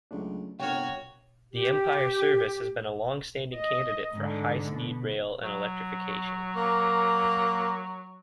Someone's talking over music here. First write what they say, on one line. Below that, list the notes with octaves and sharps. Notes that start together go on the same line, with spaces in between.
The Empire Service has been a long-standing candidate for high-speed rail and electrification.
C#2 F#3 A3 D4
G1 C3 F#4 A#4 C#5 G5 G#6
G4
D#5
G#2 D3
B2
F#3
A#3